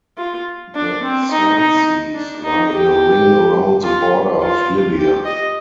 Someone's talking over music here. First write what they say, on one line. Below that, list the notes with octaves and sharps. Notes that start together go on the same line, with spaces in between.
The sand seas lie in a ring around the border of Libya.
F4
D4
C4
D#4
D#4
D4
D#4
G4
F4
F4
G4
D#5